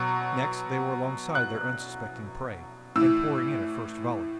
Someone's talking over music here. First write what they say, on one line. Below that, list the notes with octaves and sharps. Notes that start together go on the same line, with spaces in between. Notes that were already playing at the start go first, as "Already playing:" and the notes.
Next they were alongside their unsuspecting prey, and pouring in a first volley.
Already playing: B2 F#3 C#6
F#6
A2 E3 E6